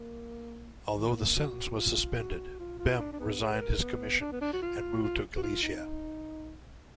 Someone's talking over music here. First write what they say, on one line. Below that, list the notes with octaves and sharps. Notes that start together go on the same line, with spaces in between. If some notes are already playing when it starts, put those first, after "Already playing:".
Although the sentence was suspended, Bem resigned his commission and moved to Galicia.
Already playing: A#3
D#3
B3
A#3
F#4
F4
F#4
F4
F4
D4
D4
B3
G#4
B4
A#4
B3
D4
B3
D4
F#4
F4
F4
F#4
F4
D#4